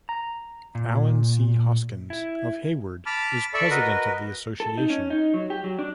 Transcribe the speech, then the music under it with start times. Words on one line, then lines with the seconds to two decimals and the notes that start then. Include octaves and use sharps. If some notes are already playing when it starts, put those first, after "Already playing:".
Allen C. Hoskins of Hayward, is President of the Association.
0.09 A#5
0.75 A#2
2.10 E4
3.06 A5 B5 D6 F6
3.54 A4 D5 E5 A5 B5 C#6
3.70 F#4 A#4 B4 D#5
4.60 A4
4.77 D#4
4.90 C#4
5.10 D#4
5.34 F#3
5.50 G4
5.64 F#3
5.79 D4